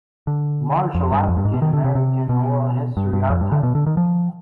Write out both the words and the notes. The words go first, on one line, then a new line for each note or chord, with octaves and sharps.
Marshall African American Oral History Archive.
D3
F2
G2
F2
G2
G#2
B2
D#3
D3
C3
C3
B2
G2
G2
F2
G2
D3
B2
D3
D#3
F3